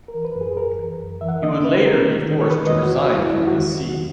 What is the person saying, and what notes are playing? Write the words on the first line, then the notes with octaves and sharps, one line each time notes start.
He would later be forced to resign from his seat.
A#4
E3
B4
F#2
G#4
F#2 A#4
E3
F#2
E3 E5
F#5
E5
A#3 D#5
C#4 B4
C#4 A#4
D#3
G#3
C#5
D#3 B4
D#5
E2
F#4
E2
F#4
G#3 E4
D#3
F#4
E2
D#3